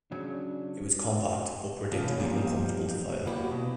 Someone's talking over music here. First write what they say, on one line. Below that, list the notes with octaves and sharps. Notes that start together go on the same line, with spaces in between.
It was compact but predictably uncomfortable to fire.
C#3 F#3 D4
B2 E3 A3 C#4 D4 F4
E2 F3 G3 A#3 D#4
F#3 A#3 B3 E4 F#4 G4
B2